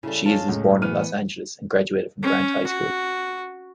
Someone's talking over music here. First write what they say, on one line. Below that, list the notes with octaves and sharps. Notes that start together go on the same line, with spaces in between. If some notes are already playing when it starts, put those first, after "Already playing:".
Shields was born in Los Angeles and graduated from Grant High School.
C#3 G3 E4 A4
G#3 C#4 F4 A5
C#2 A2
E3 B3 F6 D#7
C#4
F#4